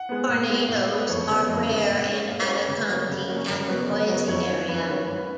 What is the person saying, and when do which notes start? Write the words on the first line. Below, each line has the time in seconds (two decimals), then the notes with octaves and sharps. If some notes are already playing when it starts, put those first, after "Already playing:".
Tornadoes are rare in Ada County and the Boise area.
Already playing: F#5
0.09 G#3 B3
0.29 A#2
0.49 G#3 B3
0.68 A#2 F5
0.89 G#3 B3
0.95 B4
1.09 F2 C#5
1.29 C#3 G#3 B3
1.49 F2 D#5
1.68 C#3 G#3 B3
1.89 A#2
2.09 G#3 C#4
2.28 A#2 F5
2.42 C#5
2.49 G#3 C#4
2.56 B4
2.69 C#3
2.89 F#3 A#3 C#4
3.09 C#3
3.28 F#3 A#3 C#4
3.48 C#3 A#4
3.68 F#3 B3
3.89 C#3
4.08 F#3 B3
4.28 F2 C#5
4.48 D#3 F#3 C#4
4.68 F2 B4
4.88 D#3 F#3 C#4
5.08 G#2 B4